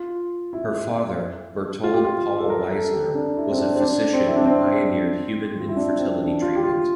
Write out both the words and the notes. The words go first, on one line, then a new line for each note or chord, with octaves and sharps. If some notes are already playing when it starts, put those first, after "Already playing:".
Her father, Bertold Paul Wiesner, was a physician who pioneered human infertility treatment.
Already playing: F4
E4
F4
G4
F4
A4
A#4
A4
G4
D4
E4
C4
D4
C4
D4
C4
E4
D4
C4
F4
E4
D4
C4
D4
F4
G4
F4